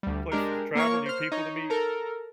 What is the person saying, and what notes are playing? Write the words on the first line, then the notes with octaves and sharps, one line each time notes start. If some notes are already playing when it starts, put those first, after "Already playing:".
new places to travel, new people to meet.
D2 G3
G#3 D4 G4 A#4
A#3 A#4 C#5 C#6
C5 F6
D#4 C#5
A4 A#4 A#5